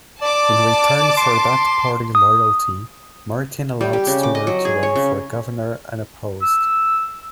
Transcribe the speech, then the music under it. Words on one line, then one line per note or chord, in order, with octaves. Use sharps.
In return for that party loyalty, Martin allowed Stuart to run for governor unopposed.
D5 A5 D6
C6
D#6
G3
G4
C#3
D6
D#5
F#3
G#4
C#5
C#3
E6